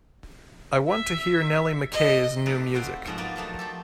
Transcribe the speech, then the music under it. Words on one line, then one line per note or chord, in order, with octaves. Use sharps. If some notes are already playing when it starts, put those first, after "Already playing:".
I want to hear Nellie Mckay's new music.
E5
A4 D#5
C3 A3 D#4 B4 D5
C4 F#4 B4 F5 G5
G#2 B2 F3 D#5 F#5
F3 A#3 B3 D#4 D5
F3 F#3 A3 D#4
F3 G4 A4